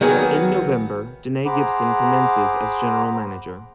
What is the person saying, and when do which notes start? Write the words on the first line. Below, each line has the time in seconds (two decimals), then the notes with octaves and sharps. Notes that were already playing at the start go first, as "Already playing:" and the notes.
In November, Danae Gibson commences as General Manager.
0.01 D#3 F#3 A#3 B3 G#4
1.46 G#4 C5 F#5 A#5 B5 D6